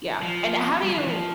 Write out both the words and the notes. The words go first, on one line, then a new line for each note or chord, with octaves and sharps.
Yeah, and how do you
F3
G3
F3
E3
F3